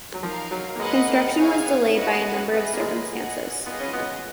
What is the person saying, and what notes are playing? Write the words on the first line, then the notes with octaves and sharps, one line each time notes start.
Construction was delayed by a number of circumstances.
F#3
F3 D#4 A#4 F5
F#3
A#3
G#3 G#4 B4 D#5 F#5
A#3
B3 G#4 C#5 F5 G#5
B3
C#4 F#4 B4 D#5 F#5
B3
C#4
B3 G#4 B4 D#5
A#3
G#3
G#4 D#5 F#5
B3 F4 G#4 B4 D#5
C#4
B3